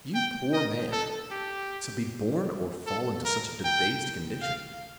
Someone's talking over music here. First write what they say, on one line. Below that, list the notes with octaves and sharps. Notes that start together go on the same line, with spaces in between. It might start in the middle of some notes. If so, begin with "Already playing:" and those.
You poor man, to be born or fall into such a debased condition.
G5
D#5
A4
G4
A4
A#4
G5
F5